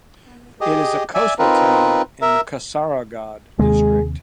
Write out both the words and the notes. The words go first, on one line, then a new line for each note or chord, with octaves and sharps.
It is a coastal town in Kasaragod district.
G4 G#4 D#5
D5 E5 G#5
C4 D#4 F4 A#4 B4
A#4 E5
D#2 C3 G#3 G#4